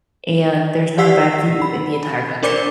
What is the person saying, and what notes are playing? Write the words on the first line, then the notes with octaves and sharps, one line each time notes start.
and there's not a bad view in the entire country.
G4 D5 F#5 E6 B6 C7
B5
D4 A#4 C5 D5 D6